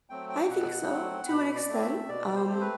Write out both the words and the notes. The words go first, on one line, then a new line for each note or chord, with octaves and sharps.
I think so to an extent. Um,
F#3 A3 C4 G5
G5
B2 F#5
F#3 A3 C4
B2 B5
D5
A3 C4
E5
B2 D5
D5
C5
A3
C4
B4